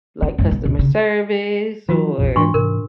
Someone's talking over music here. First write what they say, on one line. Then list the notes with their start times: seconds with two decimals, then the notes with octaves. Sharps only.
like customer service or,
0.22 C#4
0.39 F#2 G#3
0.51 B1
0.64 D2 B2
0.79 C#3
1.89 E3 F#3 F4 F#4
2.18 A#1 E2 A#2
2.36 G#2 E3 D4 C6 C#6
2.54 G#2 C3 E3 A#4